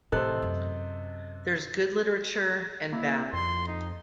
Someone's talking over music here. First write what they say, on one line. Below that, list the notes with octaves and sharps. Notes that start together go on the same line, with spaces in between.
There's good literature and bad.
A2 C3 E3 A4 C5 D#5 F#6
F#2
A#3 E4
F2 C6
D#4